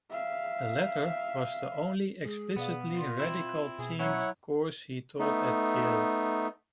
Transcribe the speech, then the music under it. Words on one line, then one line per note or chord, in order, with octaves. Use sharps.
The latter was the only explicitly radical-themed course he taught at Yale.
E5 F5
G#3 G#4
B2 B3 D5 F5
F4
C4 E4
B2 G#4
F#3 C#4 E4 C#5 F#5
A3 B3 D#4